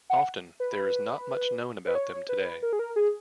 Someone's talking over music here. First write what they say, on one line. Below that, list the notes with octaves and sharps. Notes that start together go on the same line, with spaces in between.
Often, there is not much known about them today.
F#5
B4
B4
C#5
B4
A#4
G#4
A#4
G#4